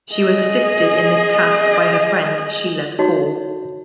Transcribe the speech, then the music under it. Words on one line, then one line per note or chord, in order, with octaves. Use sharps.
She was assisted in this task by her friend Sheila Kaul.
G#4 D#5
D#4 F#4 C#5